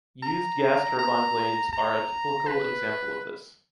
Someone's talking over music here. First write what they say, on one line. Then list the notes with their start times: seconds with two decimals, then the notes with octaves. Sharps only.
Used gas turbine blades are a typical example of this.
0.23 A#5
0.99 A#5
1.73 A#5
2.48 B4